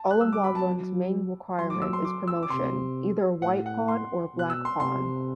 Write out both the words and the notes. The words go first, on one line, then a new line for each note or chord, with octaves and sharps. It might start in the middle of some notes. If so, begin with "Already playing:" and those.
Allumwandlung's main requirement is promotion, either a white pawn or a black pawn.
Already playing: A5
F#6
G3 E6
D6
B5
A5
F#3
F#3 C6
D6
E6
C6
D6
E6
D6
C3 C6
A2 F#5
F#5
C6
B2
F#6
E6
C6
C3 C6